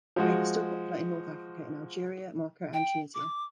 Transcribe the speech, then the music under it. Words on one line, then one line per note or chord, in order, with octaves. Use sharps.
The grape is still popular in North Africa in Algeria, Morocco and Tunisia.
F3 G#3 F#4
G5
D6